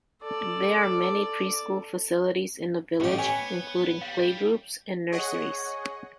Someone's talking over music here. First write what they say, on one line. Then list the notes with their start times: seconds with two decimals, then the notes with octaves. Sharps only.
There are many pre-school facilities in the village including playgroups and nurseries.
0.23 A4 D5
3.00 A1 F2 C#4 G4 C#6
3.19 B3 C#5 G#5
4.02 G3 F5
5.12 G#4 C#5 D#5 F#5